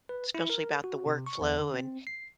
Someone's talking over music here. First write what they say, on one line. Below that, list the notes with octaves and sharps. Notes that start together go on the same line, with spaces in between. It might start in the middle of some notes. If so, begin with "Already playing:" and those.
especially about the work flow and
B4
E4
A#4
F#4
C3
C#6
E2
D3
C4
C7